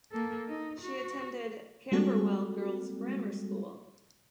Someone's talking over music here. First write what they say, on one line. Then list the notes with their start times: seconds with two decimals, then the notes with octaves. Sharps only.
She attended Camberwell Girls Grammar School.
0.12 A#3 A4
0.48 D#4
0.81 F#4
1.92 G3 G#3 A#3 C4 F#4 A4